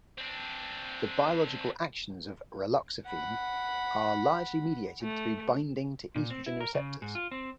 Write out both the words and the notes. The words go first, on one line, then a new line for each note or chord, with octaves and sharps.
The biological actions of raloxifene are largely mediated through binding to estrogen receptors.
C4 D4
F#5 B5
A3
A#2
C4
E4
A#4
C#3
G#2
F4
C4